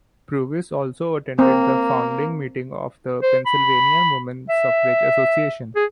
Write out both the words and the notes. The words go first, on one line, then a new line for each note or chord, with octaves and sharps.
Purvis also attended the founding meeting of the Pennsylvania Woman Suffrage Association.
A#3 C4
C5
B5
E5
G#4